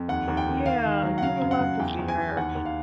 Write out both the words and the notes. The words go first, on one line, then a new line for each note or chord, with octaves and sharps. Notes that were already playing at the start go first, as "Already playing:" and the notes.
Yeah, you would love to see her,
Already playing: F2
D#2 F#5
D#2
G5
D#3
D#3 F5
D#3
F#3
F#5
C#3 F5
F#2
F#5
F#2
E2 G5
E2
G#5
E2
D#2 F#5
D#2
F5